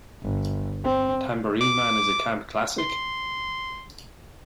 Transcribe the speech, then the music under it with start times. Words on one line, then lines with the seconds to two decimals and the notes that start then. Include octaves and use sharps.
Tambourine Man' is a camp classic?
0.23 G1
0.84 C4
1.61 D6
2.79 C6